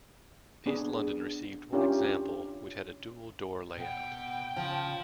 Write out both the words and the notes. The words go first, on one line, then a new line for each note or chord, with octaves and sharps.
East London received one example which had a dual door layout.
B3 D4 G#4
C#4 D4 E4 F4 G4 A#4
B2 F#5 G5
C#3 F3